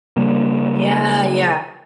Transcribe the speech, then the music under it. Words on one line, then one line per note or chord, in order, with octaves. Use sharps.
Yeah, yeah.
C#3 G3 A#3